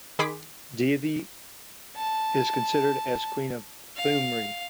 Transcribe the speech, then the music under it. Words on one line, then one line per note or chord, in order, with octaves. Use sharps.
Devi is considered as "Queen of Thumri".
D#3 G#4 B5 C6 D6 B6
A5
F5